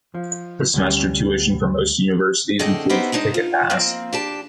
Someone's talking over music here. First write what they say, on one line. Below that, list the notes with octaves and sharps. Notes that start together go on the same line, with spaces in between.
The semester tuition for most universities include the ticket pass.
F3
D2 G3 C#4
A2 D3 C4 G#4 D#5 A5
B3 C#4 D#4 E4 G4 C5
G#3 D4 D#4 C5
F4
F3 A#3 C4
D4 G4 A5